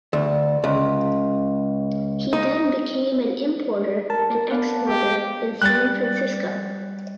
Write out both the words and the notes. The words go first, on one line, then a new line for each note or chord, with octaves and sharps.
He then became an importer and exporter in San Francisco.
D2
C#2
D#4
A#4 A5
B3 D4 F5
G4
G3 F#6 A6